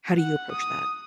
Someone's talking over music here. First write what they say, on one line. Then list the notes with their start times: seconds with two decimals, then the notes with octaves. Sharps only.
how do you approach that?
0.17 F#5
0.51 D#6